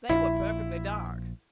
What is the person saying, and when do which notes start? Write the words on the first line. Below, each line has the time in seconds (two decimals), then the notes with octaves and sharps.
They were perfectly dark.
0.09 A#1 E4